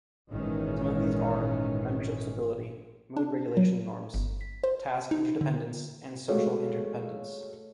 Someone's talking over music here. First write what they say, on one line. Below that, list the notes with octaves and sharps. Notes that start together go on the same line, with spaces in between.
Some of these are: membership stability, mood-regulation norms, task interdependence and social interdependence.
G#1 A#2 D#3 E3 G#3 C#4
D4
F#3
G1
B6
C5
D#4
D3
G#3 A3 F#4 C#5 F5